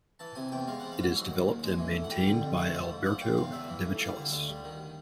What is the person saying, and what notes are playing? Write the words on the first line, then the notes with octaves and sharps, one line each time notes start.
It is developed and maintained by Alberto Demichelis.
E3 A5
C3 G#5
E2 G5
G#3 F5
F3 F#5
F5
G#2 F#5
F#3
D#3
D#2
G#3 G#5
E3
A2
F#5
G3 G5
D3
F2
A3 F#5
F3
G#2
F3 F#5
C#3 G5
E2 F5
G3 E5
E3
A2
G3 F5
D3
D2
G3
D#3